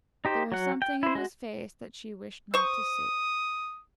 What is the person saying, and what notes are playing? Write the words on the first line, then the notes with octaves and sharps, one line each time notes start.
But there was something in his face that she wished not to see.
D#4 G4 C5
F#3 F#5
G5
E4 C5
G#3 F#4
C5 C#6 D#6